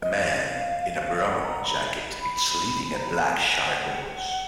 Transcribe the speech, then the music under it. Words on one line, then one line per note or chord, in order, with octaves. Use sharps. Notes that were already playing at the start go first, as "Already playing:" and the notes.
A man in a brown jacket is leading a black shire horse.
D#5
F5
G#5
F#5
A#5
B5
B5
A#5
G#5
G#5
F#5